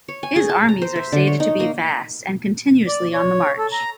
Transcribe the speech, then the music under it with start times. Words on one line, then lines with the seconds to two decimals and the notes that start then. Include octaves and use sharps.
His armies are stated to be vast and continuously on the march.
0.08 C#5
0.23 G#5
0.36 G#4
0.49 A5
0.69 A#5
0.82 C5
0.96 E5
1.12 D3
1.27 C#5
1.40 D#4
1.60 A#3
2.87 D5
3.13 C#5
3.58 A4
3.72 A#5